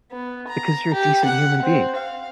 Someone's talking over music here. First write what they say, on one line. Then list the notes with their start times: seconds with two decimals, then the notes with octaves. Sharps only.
Because you're a decent human being.
0.12 B3
0.47 A#5
0.93 G4
1.25 F#5
1.62 C4
1.95 F5